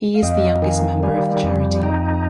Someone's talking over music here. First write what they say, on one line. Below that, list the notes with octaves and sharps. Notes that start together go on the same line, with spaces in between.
He is the youngest member of the charity.
F5
F2 D#5 G5
A#5
D#3 F5 G#5
G3 F5 G#5
F2
D#4 G5 A#5
A#5